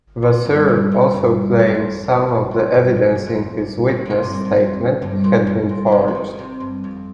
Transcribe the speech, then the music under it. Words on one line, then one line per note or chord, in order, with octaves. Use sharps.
Vasseur also claimed some of the evidence in his witness statement had been forged.
C3
G2
G2
A#2
G2
F2
G2
F2
A#2
G2
A#2
G2
G2
F2
G2
F2
G2
D#3
D#3
C3
G2
A#2
G2
F2
G2
A#2
G2
A#2
D#3
C3
F3
D#3
D#3
C3
G2
F2